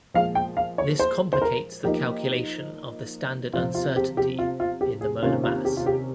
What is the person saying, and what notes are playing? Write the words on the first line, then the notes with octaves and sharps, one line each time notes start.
This complicates the calculation of the standard uncertainty in the molar mass.
A#2 F3 G#3 F5
G5
F5
C#5
C5
C5
A#4
F3 A#3 D#4 G4
C3 F3 C4 F4
F4
G4
G4
F4
F4
G4
G#4
C3 D#3 A#3 C#4 F4
F4
G4
F4
G4